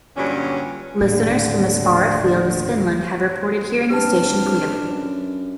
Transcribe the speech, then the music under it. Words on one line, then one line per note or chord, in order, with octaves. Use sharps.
Listeners from as far afield as Finland have reported hearing the station clearly.
G2 A#2 D3 F#3 G3 C#4
D#1 A2 D3 A#3
C2 D4 G4 B4 A5 F6
F#2